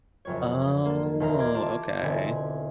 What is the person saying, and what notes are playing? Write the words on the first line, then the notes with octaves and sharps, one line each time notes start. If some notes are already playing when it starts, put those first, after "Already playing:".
Oh, okay.
F#1 F2 C#5
A#3 A4
E1 D#2 A#3 F5 A#5 A#6
C6 D6 F6 G#6
F4 G4 A5 C6 D6
E1 D3 C4 D#4 G#5 B5